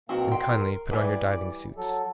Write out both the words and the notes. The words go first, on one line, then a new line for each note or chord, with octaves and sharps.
"Then kindly put on your diving suits."
B2 A#3 C4 F#4 A#4
G5 C6
A#4
E3 G3 B4 D5
F#3 A4